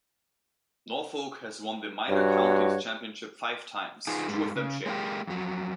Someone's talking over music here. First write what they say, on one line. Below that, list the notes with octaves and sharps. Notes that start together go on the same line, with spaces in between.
Norfolk has won the Minor Counties Championship five times, two of them shared.
G2 F#4 C#5
D#4 F4 G#4 B4
G2 G3 G#3
C#3
G#3 A#3 D#4 G4
F2 F#3